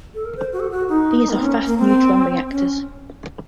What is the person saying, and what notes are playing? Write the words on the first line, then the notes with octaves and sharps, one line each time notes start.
These are fast-neutron reactors.
A4
A#4
C5
F#4
A4
F#4
D#4
A#3
C4
C#4
A#3
C4
C#4